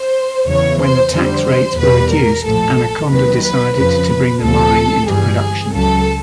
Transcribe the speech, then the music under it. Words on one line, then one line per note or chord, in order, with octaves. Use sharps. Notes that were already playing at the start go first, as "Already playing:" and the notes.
When the tax rates were reduced Anaconda decided to bring the mine into production.
Already playing: C5
E2 C#3 E3 C#5
C5
F2 D3 G3 C5
C5
E2 B2 G3 B4
A#4
A#1 A2 F3 A4
D#2 D#3 F#3 B4
B4
F2 C#3 F3 B4
B4
D2 C3 F3 A4
G1 G2 E3 G3 G#4
C#2 C#3 F#3 A4